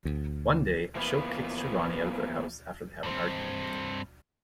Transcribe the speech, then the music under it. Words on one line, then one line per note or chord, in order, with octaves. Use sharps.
One day, Ashok kicks Shivani out of their house after they have an argument.
D2
E3 F3 A#3 B3 B4
G2 C4